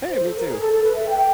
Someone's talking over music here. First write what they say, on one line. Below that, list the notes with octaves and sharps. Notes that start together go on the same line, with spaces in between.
Hey, me too.
C5
A4
A#4
G#4
A4
A4
B4
E5
G5
G5